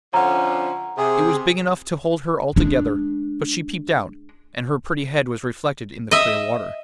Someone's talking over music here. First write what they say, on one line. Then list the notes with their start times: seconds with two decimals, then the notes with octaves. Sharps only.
It was big enough to hold her altogether, but she peeped out, and her pretty head was reflected in the clear water.
0.14 D3 F3 C#4 F#5 A#5
0.98 C3 G#4
2.56 G#3 D4
6.11 D#5 E5